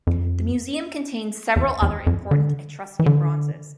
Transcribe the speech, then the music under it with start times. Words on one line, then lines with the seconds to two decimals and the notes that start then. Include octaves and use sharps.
The Museum contains several other important Etruscan bronzes.
0.07 F2
1.56 E2
1.82 E2
2.07 F2
2.31 D3
2.99 E3
3.06 D3